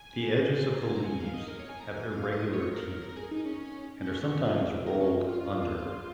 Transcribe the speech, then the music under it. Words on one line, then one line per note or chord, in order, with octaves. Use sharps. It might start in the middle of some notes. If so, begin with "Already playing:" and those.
The edges of the leaves have irregular teeth and are sometimes rolled under.
Already playing: G#5
G#5
A#5
G#5
A#5
G#5
F5
D#5
A#4
C#5
G#5
A#5
G#5
F5
D#5
C#5
A#4
A#4
A#4
G#4
D#4
C#4
C#4
C#4
F4
A#4
C#4
F4